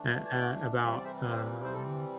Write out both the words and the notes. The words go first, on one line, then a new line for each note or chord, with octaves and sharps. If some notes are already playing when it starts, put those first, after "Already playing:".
at, uh about, um,
Already playing: E3 A3 D4
A5
D5 G5
C3 E3 G3 C4 E5
D5
C5 E5
G4 C5
C5
A4